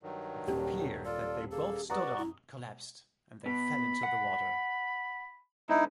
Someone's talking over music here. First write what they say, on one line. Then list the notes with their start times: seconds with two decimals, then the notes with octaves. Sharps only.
The pier that they both stood on collapsed and they fell into the water.
0.03 G2 D#3 F#3
0.47 D#1 G4
1.05 F4 A4 D5
1.51 A#3 G#4 A4
1.90 F#4 B4 D5 F#5 A#5 D#6
2.18 E4
3.46 B2 B5
4.03 F#5
5.69 G#2 D3 D#4 E4